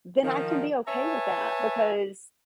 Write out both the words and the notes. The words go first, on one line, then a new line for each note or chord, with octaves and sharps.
then I can be okay with that because,
D#3 F3
B4 C#5 E5 G#5 A5